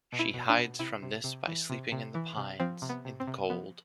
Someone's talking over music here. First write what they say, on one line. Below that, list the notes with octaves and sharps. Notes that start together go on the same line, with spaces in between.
She hides from this by sleeping in the pines, in the cold.
B2
E4
B2
D4
B2
C3 E4
C3
C3
E3
C3
C3
E3
C3
F3 C4
C3
B3
C3
C4
C3
F3 B3